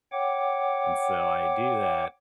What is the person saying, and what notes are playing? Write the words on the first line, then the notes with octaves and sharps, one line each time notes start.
and so, I do that.
C#5 F#5 G5 D6